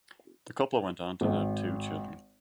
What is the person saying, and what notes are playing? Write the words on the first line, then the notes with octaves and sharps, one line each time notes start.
The couple went on to have two children.
G#1